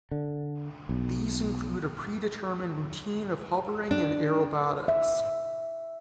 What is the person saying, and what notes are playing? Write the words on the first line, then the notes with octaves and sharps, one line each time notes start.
These include a predetermined routine of hovering and aerobatics.
D3
B1
D4
E5